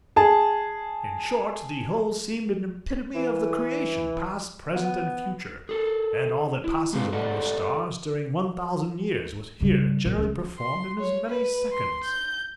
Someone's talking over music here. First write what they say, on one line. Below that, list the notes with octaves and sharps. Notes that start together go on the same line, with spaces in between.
In short, the whole seemed an epitome of the creation, past, present, and future; and all that passes among the stars during one thousand years was here generally performed in as many seconds.
G#4 A5
E3
B3
G#4 A4
E4
G#3 C4 F#4 G#4 B4 F5
G4 A4 D5 D#5 F#5
C#3 G3
A#2 F3
C#2
C6
C#5
B4
C6
G6